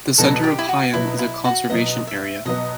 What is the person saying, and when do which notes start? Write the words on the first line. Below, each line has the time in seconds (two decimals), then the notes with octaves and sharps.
The centre of Higham is a conservation area.
0.18 B2 F#3 B3 A4
0.44 G4
0.59 E4
0.69 F#4
0.93 B2 F#3 B3 E4
1.19 E4
1.45 F#4
1.70 B2 F#3 B3 D#5
2.07 E5
2.45 B2 F#3 B3 D#5